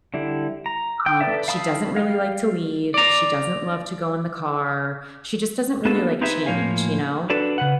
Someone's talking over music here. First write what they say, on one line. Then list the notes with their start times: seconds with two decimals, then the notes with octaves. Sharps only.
Um, she doesn't really like to leave, she doesn't love to go in the car. She just doesn't really like change, you know?
0.14 D3 G3 E4
0.66 A#5
1.06 G5
1.21 A4 B4 D5 E5
1.48 F5 A5 B5 D#6 E6
1.96 G3 F5
2.94 D5 A#5
5.85 A#3 B3 D4 F#4 A4
6.21 C4 D#4 G4 G#4 B4 E5
6.46 A2 F3 A#3 C#5 F5 G#5
7.30 D4 F#4 A4 B4 D5
7.58 C#3 B4 F#5